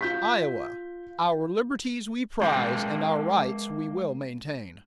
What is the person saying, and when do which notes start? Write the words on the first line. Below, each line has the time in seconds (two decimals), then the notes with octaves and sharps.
Iowa--Our liberties we prize, and our rights we will maintain.
0.01 F4 G6 B6
2.41 G#3 A#3 G5